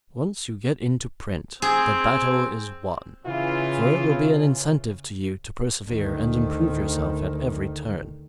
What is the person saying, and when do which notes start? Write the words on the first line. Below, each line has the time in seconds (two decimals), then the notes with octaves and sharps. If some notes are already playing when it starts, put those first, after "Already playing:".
Once you get into print the battle is won, for it will be an incentive to you to persevere and improve yourself at every turn.
1.62 C4 G#4
3.26 C#3 E3 E4 F4
5.87 D2 D#3